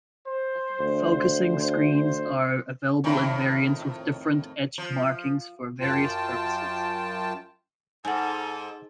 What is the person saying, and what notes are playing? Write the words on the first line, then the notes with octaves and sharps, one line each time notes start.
Often, focusing screens are available in variants with different etched markings for various purposes.
C5
D2
F2 A2 D#3
F3
F#2 F4 G5 A5
G#2 A4 F#5 G#5